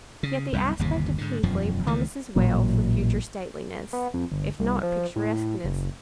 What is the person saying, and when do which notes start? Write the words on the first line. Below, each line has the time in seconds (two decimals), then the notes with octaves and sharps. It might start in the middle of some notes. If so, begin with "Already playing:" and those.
Yet the aspect of Keighley promises well for future stateliness, if not picturesqueness.
0.23 C#3
0.53 C2 F#2
0.79 G1 D#2 C3
1.18 G#2 D3
1.43 E1 F#2 F3
1.87 C#2 D#3 E3 A3
2.36 A1 A#2 F#3
3.93 B3
4.14 F2
4.32 G1
4.60 C2
4.83 F3
5.16 A2
5.64 F#1